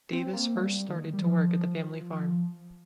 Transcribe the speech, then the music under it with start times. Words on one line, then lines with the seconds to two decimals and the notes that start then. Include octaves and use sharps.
Davis first started to work at the family farm.
0.12 C4
0.33 A#3
0.56 G3
0.89 D#3
1.14 G3
1.22 F3